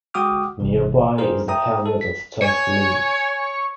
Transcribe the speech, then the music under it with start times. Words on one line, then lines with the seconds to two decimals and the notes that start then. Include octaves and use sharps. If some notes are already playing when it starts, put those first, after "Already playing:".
Nearby is the hamlet of Turf Lea.
0.14 G#3 F#4 G5 D6 D#6 F6
0.60 G#1 C#2 C3 E3
1.18 D#4 F4 G4 G#4 A#4 C5
1.48 E5 G5 A#5 D#6
1.86 A4
2.01 B6
2.42 C#5 G#5